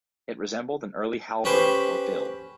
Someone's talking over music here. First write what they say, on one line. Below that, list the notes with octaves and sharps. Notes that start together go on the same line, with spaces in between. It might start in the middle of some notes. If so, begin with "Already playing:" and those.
It resembled an early halberd or bill.
C#4 G4 B4 C5